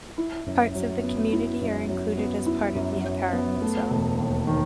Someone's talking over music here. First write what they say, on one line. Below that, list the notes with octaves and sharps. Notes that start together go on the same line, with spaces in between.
Parts of the community are included as part of the empowerment zone.
E4
F#2
F#3
B3
E4
F#2
F#3
B3
E4
F#2
F#3
B3
A3
E1
D#2
D#3